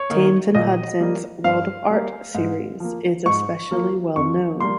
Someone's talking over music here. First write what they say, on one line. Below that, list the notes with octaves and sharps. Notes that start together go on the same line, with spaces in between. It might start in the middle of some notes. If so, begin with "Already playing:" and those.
Thames and Hudson's "World of Art" series is especially well-known.
Already playing: C#5
D#3 A#3
A#2 D#5
G3 A#3
G2 F5
G3 A#3
G#2
F3 A#3
G#2 C#6
F3 A#3
F2 C#6
G3 A#3 C6